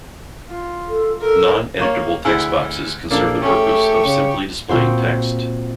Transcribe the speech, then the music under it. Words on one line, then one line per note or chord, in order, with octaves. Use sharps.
Non-editable text boxes can serve the purpose of simply displaying text.
F4
A4
A4 A#4
A#3 C#5
D2 E4 G#4
A#1 A#3 D4 A4
A3 C#4 G4 G#4 C#6
C#3
A#2 C4 F#4 C5